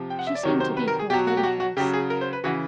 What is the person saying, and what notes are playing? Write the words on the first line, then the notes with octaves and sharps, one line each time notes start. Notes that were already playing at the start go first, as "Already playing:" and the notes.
She seemed to be quite ready for this.
Already playing: C3 F3
G5
F#5
E5
D5
C3 D#3 F#3 C#5
C5
B4
A#4
G#4
B2 F#3 G4
F#4
G4
F#4
F#4
C#3 F#3 G4
G#4
A#4
C5
B4
C#3 E3 F#4